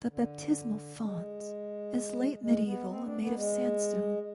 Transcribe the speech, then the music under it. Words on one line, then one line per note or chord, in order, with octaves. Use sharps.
The baptismal font is late medieval and made of sandstone.
D3
G#3
G#3
B3
C4
D4
B3
G#3